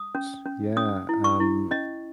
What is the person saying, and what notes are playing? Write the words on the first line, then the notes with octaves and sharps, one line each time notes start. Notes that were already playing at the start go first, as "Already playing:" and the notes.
S yeah, um,
Already playing: D#6
C#4
C#4
C#4 D#6
E4
C#6
E4
C#4 D#5